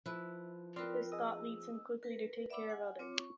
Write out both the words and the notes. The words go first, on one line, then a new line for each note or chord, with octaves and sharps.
This thought leads him quickly to take care of others.
F3 E4 B4
C4 F4 A#4 B4 D5 G5 C6 F6
G#4 D#5 D#6 E6
A#4 B4
D5 E5 F#5 B5 D6 E6
F#5 G#5
C4 F4 C#5 D6
C#6